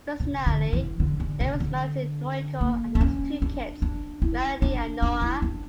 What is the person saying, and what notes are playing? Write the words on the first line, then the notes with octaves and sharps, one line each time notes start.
Personally, David is married to Noriko and has two kids, Melody and Noah.
C#3
D3
E3
D3
D3
C#3
D3
A#3
D4
C#4
D4
D4
E4
D4
D4
E4
D4